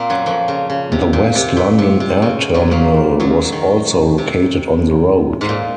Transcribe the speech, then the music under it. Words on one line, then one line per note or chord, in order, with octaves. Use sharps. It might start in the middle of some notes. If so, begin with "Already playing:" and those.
The West London Air Terminal was also located on the road.
Already playing: A#2 A#3 C4
F#2 F#3
F2 F3
C#3
C#3
C3
A#2
C3
A#2
C3
C3
C#3
F#2 F#3
A#2 A#3
F#2 F#3
D#3
C3
G#2
A#2